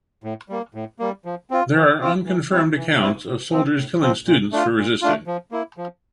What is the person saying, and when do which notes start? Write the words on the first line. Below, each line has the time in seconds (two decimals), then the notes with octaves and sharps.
There are unconfirmed accounts of soldiers killing students for resisting.
0.24 A2
0.49 G3 A#3
0.75 A2
0.99 G3 A#3
1.25 F3
1.51 C4 F4
1.75 F3
2.01 C4 F4
2.26 E3
2.51 G3 C4 E4
2.76 E3
3.00 G3 C4 E4
3.26 A2
3.51 F3 C4
3.76 A2
4.02 F3 C4
4.26 A#2
4.52 A3 D4 F4
4.77 A#2
5.02 A3 D4 F4
5.27 F3
5.52 A#3 E4
5.77 F3